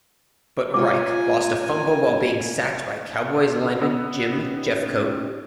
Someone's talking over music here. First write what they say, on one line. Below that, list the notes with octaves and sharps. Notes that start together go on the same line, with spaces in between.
But Reich lost a fumble while being sacked by Cowboys lineman Jim Jeffcoat.
G#3 A#3 F4 C#5 G#5 D6
B3 E6
C#4 D#4 G4